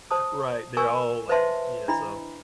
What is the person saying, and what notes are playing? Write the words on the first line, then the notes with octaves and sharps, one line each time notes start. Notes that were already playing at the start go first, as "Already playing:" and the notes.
Right, they're all like Yeah, so
C5 A5 D#6
A#4 G#5 C#6 E6
B4 C5 D#5 E5 A5 C6
D4 E4 D#5 B5